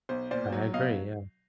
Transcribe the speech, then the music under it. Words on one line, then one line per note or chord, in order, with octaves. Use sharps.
Yeah, I agree, yeah.
B1 C5
A#2 C5 D5
F#3
B2 D#5 F5